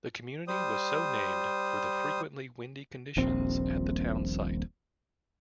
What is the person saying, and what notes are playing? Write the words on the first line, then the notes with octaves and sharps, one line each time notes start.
The community was so named for the frequently windy conditions at the town site.
G3 C5 D#6
D#1 A#1 C4